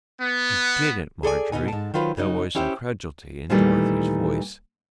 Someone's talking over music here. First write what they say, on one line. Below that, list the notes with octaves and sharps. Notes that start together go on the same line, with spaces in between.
"You didn't, Marjorie." There was incredulity in Dorothy's voice.
B3
G#4 A4 D5 G#5
B2 B3 D#4 G#5
G#2 A5
D#3 F#3 F4 B4 C5
C#3 F#3 D#4
C#4 E4 G4 C5 E5
A#2 D#3 E3 G3 A3